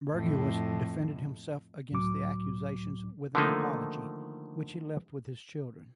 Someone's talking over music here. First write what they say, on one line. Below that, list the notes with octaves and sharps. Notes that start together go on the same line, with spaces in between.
Bergius defended himself against the accusations with an apology, which he left with his children.
F2 A2
C#2 A2 F#3 D6
D3 D#3 F3 A3 A#3 D#4